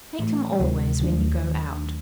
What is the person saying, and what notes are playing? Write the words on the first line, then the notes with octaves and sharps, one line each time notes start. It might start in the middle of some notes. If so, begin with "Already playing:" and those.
Thank him always when you go out.
A2 E3 A3
D2 C3 E3 G#3
D#2 D#3 F#3 A3 D4